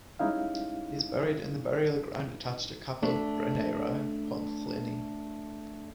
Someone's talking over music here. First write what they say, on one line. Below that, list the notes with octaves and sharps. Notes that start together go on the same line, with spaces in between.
He is buried in the burial ground attached to Capel Brynaerau, Pontllyfni.
G3 G#3 C#4 D#4 E4 F5
A3 D4